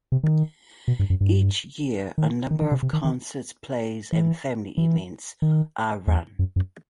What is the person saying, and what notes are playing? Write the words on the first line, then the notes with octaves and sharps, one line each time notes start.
Each year a number of concerts, plays and family events are run.
C3
D#3
B2
G2
F#2
G2
D#3
D#3
D#3
C3
C3
D#3
D#3
E3
E3
D#3
E2
F#2
F#2